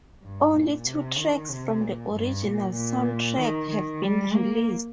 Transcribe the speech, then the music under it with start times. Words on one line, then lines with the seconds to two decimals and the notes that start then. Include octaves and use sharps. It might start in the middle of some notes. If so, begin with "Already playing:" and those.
Only two tracks from the original soundtrack have been released.
0.23 G2
0.54 A#2
0.86 C3
1.18 D#3
1.50 C3
1.81 A#2
2.13 G2
2.44 A#2
2.76 A#2
3.39 D#3
3.71 D#3
4.02 G3
4.34 A#3